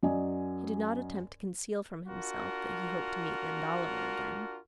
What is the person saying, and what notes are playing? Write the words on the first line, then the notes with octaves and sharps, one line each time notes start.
He did not attempt to conceal from himself that he hoped to meet Lynde Oliver again.
F#2 F#3 D5 D#5 G#5
D4 F4 F#4 A#4